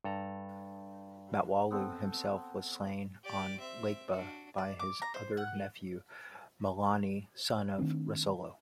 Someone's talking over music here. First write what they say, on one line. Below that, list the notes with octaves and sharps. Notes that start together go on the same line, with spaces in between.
Matawalu himself was slain on Lakeba by his other nephew Malani, son of Rasolo.
G2 A4 A#5
B3 C4 A4
G4 D5
C4 E5
D4 F#4
D5
D6
A#5
C5
F#5
D#3 A3 C4 D4